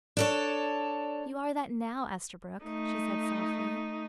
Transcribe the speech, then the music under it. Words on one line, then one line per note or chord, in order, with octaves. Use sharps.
"You are that now, Esterbrook," she said softly.
D4 A4 C#5
A3 D#4